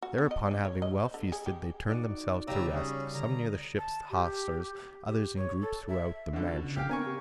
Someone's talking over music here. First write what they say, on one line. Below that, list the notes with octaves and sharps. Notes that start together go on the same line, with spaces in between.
Thereupon having well feasted they turned themselves to rest, some near the ship's hawsers, others in groups throughout the mansion.
F#4
B3
D#5
D4
C#5
D#5
C5
D3
G#4
G4
D#4 F#4 D5
C#3 G3 G4 A#5 E6
C#4 G#4
D3 A#5
A5
G4
G4
C#5
A4
E5
B2 D3 D4
F4 A5
C#3
G4 F5 G5
B3 C4 D4 A#4 G#5 C#6
G4